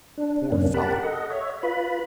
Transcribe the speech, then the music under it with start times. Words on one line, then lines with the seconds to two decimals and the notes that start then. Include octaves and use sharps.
"Poor fellow!"
0.18 D4
0.52 F#2 C3 A#3 C#4 D4
0.74 G4 A#4 F#5 A5 B5
1.03 A4 D#5 F#5
1.30 C#5 E5
1.63 F4 B4 B5